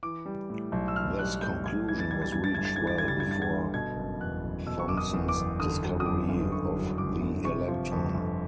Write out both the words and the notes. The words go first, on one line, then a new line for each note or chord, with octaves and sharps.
This conclusion was reached well before Thomson's discovery of the electron.
E3 D6
G3
A2
B1
E6
E3 F6
G3 F#6
F#6
A2 G6
B1 G#6
E3 G#6
A6
G3 G#6
A6
G2 G#6
A6
G1 G#6
A6
G#6
E3
A6
G#6
G3 A6
G#6
G2 A6
G#6
G1
B2 G#6
F#1
E2 F#6
F#1
B2 E6
C#6
F#1 D6
D#6
E2
D6
F#1
D3 D#6
F#3
D#6
F#2 D6
G1
D3 C#6
F#3
F#2 D6
G1
C3 C#6
F3
F2
G1